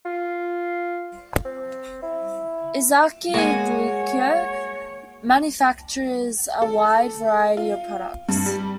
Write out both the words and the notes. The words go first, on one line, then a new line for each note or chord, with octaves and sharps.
Ezaki Glico manufactures a wide variety of products.
F4
C4
E4
G#3 A#3 F#4 G#4 C#5 G#5
A4
F4
G2
G3